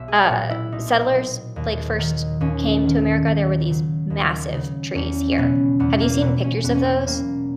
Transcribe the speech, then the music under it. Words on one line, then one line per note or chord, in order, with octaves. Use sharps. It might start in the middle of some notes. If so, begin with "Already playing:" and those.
uh, settlers, like, first came to America, there were these massive trees here. Have you seen pictures of those?
Already playing: B1 E5
G#4
A#2 F#3 F#4
E4
B1 D#4
A#2 F#3
D#2
D#3 F#3
D#2 C#4
D#3 F#3
D#2
C#3 F#3
D#2
C#3 F#3
E2 C#4
C#4
B2 F#3 B3
E2 B3
A#3
B2 F#3 B3
C#4
E2 B3
C#4
B3
B2 F#3 A#3